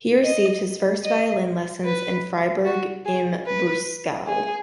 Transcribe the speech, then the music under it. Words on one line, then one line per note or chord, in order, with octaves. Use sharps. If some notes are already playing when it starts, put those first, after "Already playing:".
He received his first violin lessons in Freiburg im Breisgau.
D#5
D#5
B4
F#4
G#4
B4
G#4